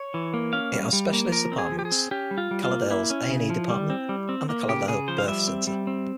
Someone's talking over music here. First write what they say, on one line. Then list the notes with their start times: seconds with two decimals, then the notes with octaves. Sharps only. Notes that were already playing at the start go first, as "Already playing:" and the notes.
It has specialist departments: Calderdale's A and E department and the Calderdale Birth Centre.
Already playing: C#5
0.14 E3
0.34 A#3
0.53 C#4 F5
0.73 G3
0.93 G3
1.13 A#3
1.32 F3 A#4
1.52 C4
1.58 G#4
1.72 F3
1.79 G4
1.85 G#4
1.91 C4
2.11 C#4 G4
2.31 G3
2.38 F4
2.51 G3
2.64 F4
2.71 A#3
2.90 A#3 E4
3.10 C#4
3.30 C#3
3.50 F3
3.69 G3
3.90 C4
4.09 G3
4.29 C4
4.49 A#3
4.68 C#3 G4
4.88 C#3 G#4
5.08 F3 C5
5.18 F5
5.28 G3 E5
5.48 C4
5.67 G3
5.87 C4